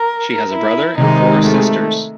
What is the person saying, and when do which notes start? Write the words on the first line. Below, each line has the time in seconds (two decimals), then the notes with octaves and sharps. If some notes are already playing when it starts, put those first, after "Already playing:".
She has a brother and four sisters.
Already playing: A#4
0.51 E4
0.97 C3 D#3 G#3 D#4
1.44 A3